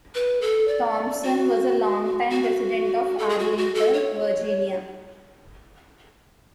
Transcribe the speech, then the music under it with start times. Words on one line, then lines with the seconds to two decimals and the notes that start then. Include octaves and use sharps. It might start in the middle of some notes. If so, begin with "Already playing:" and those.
Thompson was a long-time resident of Arlington, Virginia.
0.15 B4
0.41 A4
0.68 D5
1.23 F#4
2.30 F#4
3.18 A4
3.29 G#4
3.39 F#4
3.57 F#4
3.74 A4
3.93 C#5